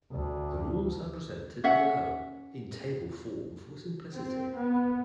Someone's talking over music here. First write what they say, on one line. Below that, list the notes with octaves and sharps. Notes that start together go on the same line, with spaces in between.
The rules are presented below, in table form for simplicity.
D2
C#4 E5 F#5
C4
B3